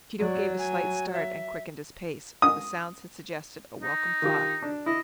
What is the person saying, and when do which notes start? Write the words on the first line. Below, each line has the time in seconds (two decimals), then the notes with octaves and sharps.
Tito gave a slight start and quickened his pace, for the sounds had suggested a welcome thought.
0.21 F#3 D5
0.58 G#5
1.14 E5
2.42 D#6
3.81 D#4
4.22 D#3 F4 G4
4.62 D4
4.86 E4 D#5